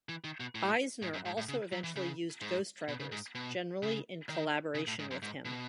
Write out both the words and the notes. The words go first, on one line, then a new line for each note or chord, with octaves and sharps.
Eisner also eventually used ghostwriters, generally in collaboration with him.
E3
D#3
B2
A2
G#2
F#2
G#2
A2
C#3
F#3
E3
C#3
G#2
B2
C#3
G#2
B2
C#3
D#3
C#3
A2
G#2
F#2
G#2
B2